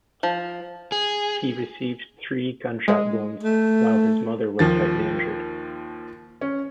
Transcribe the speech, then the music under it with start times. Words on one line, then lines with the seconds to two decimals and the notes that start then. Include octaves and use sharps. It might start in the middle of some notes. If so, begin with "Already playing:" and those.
He received three gunshot wounds while his mother was slightly injured.
0.23 F3
0.92 G#4
2.88 G#3
3.43 A3
4.59 D#2 F3 A6
6.41 C#4